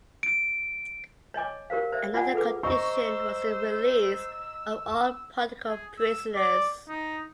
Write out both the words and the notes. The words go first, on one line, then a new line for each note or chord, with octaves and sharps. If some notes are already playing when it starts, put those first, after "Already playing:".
Another condition was the release of all political prisoners.
D7
C#5 D#5 G#5 D6
G4 A#4 C5 F5
C5 D5 E5
F4 D5 F#5 G#5
G#4 A4 B4 D6
C5 D#5 A#5 C#6 E6
G#4
E6
D5
D#4